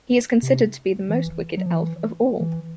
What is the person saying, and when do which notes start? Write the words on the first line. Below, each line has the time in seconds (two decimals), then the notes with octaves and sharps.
He is considered to be the most wicked elf of all.
0.43 C3
1.09 E3
1.57 F#3
1.66 F3
1.74 E3
2.40 E3